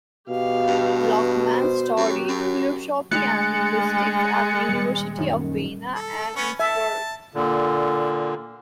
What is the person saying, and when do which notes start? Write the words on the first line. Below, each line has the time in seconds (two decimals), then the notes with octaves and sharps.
Luckmann studied philosophy and linguistics at the University of Vienna and Innsbruck.
0.29 B2 G4 F5
0.68 G2
1.52 C5
1.97 F#2 F#3 G4
2.29 F#2
3.11 G#3 A3 D4 F#6 A6 C#7
4.69 D#1 G3
5.18 F#2 D#3
5.95 A4
6.36 B3 C#4 C#5
6.60 E5 A5
7.34 A#2 D3